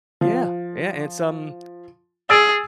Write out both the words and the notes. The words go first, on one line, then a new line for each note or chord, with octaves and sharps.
Yeah, yeah, it's, um,
F3
G#4 E6 A6 D7